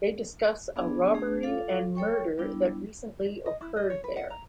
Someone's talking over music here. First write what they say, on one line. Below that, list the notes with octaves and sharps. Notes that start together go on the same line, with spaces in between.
They discuss a robbery and murder that recently occurred there.
B3 D4 G#4
A3 D4 G#4
F4 A4 F5 D6
A4 C#5 G5 C#6
G3 B3 D4 E4
D#5
E4
D#5
C#5
B4
F#5
A#5